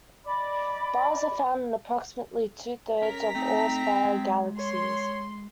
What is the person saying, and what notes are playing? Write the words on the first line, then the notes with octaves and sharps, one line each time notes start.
Bars are found in approximately two-thirds of all spiral galaxies.
D5 D#5 B5 D6
C#4 A#4 A#5 B6
A3 C4 D#4
G#3
C#5 C6